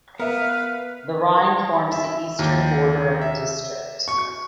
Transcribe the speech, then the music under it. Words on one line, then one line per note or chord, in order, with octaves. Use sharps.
The Rhine forms the eastern border of the district.
B3 A#4 B4 E5 F5
E5
D#2
E5
C#6